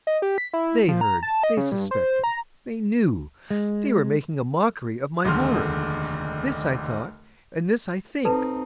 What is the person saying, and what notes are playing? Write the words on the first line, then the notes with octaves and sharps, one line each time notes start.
They heard!--they suspected!--they knew!--they were making a mockery of my horror!-this I thought, and this I think.
D#5
G4
B6
E4
F3
A#5
A5
D#5
C#3
G2
C5
A#5
G#3
F1 D#2 D3 G#3 C6 F6
C4 D#4 A4 B4 A5